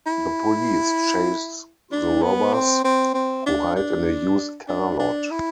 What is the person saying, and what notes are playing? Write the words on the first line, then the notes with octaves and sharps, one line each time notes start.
The police chase the robbers, who hide in a used car lot.
E4
D4
B3
C4
C4
C4
D4
D4
D4
D4
E4